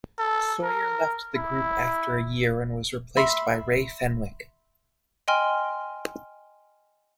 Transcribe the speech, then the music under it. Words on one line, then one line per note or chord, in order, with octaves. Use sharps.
Sawyer left the group after a year and was replaced by Ray Fenwick.
A4
A#4
E4
E5 B5 C6
D#5 G5 G#5 C6 F6